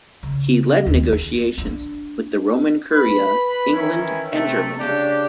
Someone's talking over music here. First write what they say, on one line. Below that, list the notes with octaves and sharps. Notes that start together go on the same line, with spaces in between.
He led negotiations with the Roman Curia, England and Germany.
C#3
D#2
B3
D4
B4 B5
D#3 E3 C#4 E4
C3 A3
C#3 D4 G4